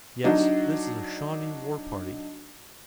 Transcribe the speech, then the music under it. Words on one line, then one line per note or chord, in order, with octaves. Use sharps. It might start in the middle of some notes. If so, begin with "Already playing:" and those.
Yes, this is a Shawnee war-party.
F#3 D4 D#4